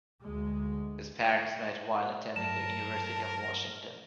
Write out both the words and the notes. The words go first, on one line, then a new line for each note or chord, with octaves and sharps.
His parents met while attending the University of Washington.
D2 G#3
G2 F#3 A#4 D5 A5 E7